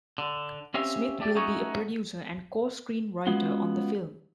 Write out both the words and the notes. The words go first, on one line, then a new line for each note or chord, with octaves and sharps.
Smith will be a producer and co-screenwriter on the film.
D3
C4 C#4 G4 E5 F5
A3 D4 G4 D5
A3 C#4 D#4 F#4 C#5
G#3 B3 C#4 F4 F#4